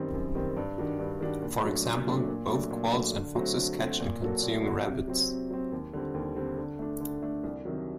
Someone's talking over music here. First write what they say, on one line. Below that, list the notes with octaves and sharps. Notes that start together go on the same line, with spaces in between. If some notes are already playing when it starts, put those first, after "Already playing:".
For example, both quolls and foxes catch and consume rabbits.
Already playing: F#2 D#3 G3 C4
F#2
D#3 G3 C4
G2
D#3 G3 D4 F#4
G2
D#3 G3 D4 F#4
A#2
F#3 A3 D4
A#2
F#3 A3 D4
A#2
F#3 A3 D4
A#2
F#3 A3 D4
D3
F#3 A3 C4 F#4
D3
F#3 A3 C4 F#4
A#2
F#3 A#3 F#4 A4
A#2
F#3 A#3 F#4 A4
C3
F#3 C4
C3
F#3 C4
D#2
D3 G3 C4
D#2
D3 G3 C4
D3
A3 D4
D3
A3 D4
C2
C3 D#3 F#3